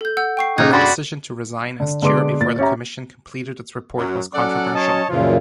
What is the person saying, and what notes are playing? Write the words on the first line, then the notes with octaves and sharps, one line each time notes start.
Her decision to resign as chair before the commission completed its report was controversial.
A4 G6
F#5 E6 G6
G5 C#6 C7
A#2 C#3 D#4 D#6 F#6 G#6
G2 F#4 G#4 D5 B5 C6 A6
D3
D3 G#3 B3 C6 D6 D7
A#2 A6
C#4 G4 E5 A#5
F#2 F#3
F#3 C#4 A4 D5 F#5
C#5 D#5 A5
F#2 A#2 C#3 E3 F3 F4